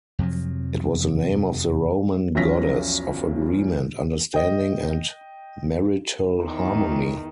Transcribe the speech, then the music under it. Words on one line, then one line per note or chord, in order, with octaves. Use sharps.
It was the name of the Roman goddess of agreement, understanding, and marital harmony.
F2 C3 F3 F#3
B1 E2 F3 C#4 A#6 B6
D#5 G5
E2 D#3